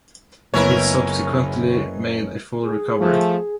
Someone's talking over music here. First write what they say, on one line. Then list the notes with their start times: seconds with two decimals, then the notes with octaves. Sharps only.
He subsequently made a full recovery.
0.54 F#1 C#2 B3 C#4 E4 A#4 C#5
2.62 G#4
2.99 F3 A3